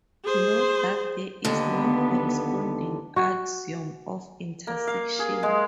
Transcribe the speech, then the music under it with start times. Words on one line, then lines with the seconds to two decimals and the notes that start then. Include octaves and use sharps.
Note that there is no corresponding axiom of intersection.
0.24 G#4 C5
1.45 D#2 D3 B3
3.16 F#4
4.67 A#3
4.87 F5
5.19 G#4
5.43 G#3